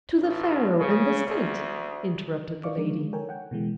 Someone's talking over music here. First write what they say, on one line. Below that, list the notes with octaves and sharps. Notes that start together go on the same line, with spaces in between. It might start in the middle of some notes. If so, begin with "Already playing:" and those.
"To the pharaoh and the state!" interrupted the lady.
A1
C#3
D2
D5 D#5 F5 C#6 D6
F3 G#3 D4 A#4
G#3
A4 A#4 C#5 G5 G#5
F#5 G5
B2 D3 E3 G#3